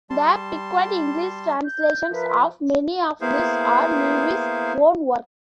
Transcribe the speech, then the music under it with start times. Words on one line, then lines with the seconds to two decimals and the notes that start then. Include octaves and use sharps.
The piquant English translations of many of these are Lewis's own work.
0.10 G3 A5 C6
1.65 G6
2.11 F3 A#4 B4 E5
3.21 A#3 B3 E4 G#4 C5 F5